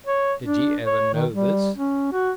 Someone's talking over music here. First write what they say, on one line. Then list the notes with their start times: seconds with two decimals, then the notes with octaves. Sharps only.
Did ye ever know this?
0.07 C#5
0.44 D4
0.86 C#5
1.14 D#3
1.33 G3
1.76 C#4
2.13 F#4